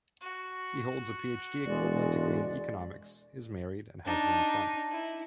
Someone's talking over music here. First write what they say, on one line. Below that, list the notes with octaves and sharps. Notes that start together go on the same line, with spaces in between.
He holds a PhD-equivalent degree in Economics, is married, and has one son.
F#4
E1 G#3 D5
D4 D#4
E4